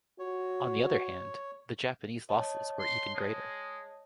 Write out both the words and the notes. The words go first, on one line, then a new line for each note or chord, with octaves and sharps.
On the other hand, the Japanese losses were even greater.
F#4 C#5
C#5 D#5 A5
C6
G#3